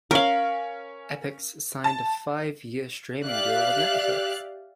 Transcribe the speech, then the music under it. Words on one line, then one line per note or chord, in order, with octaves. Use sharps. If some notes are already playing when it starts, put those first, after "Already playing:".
Epix signed a five-year streaming deal with Netflix.
C#4 A#4 C#5 F5 F#7
A5
G4 D5 E5 F5 F#6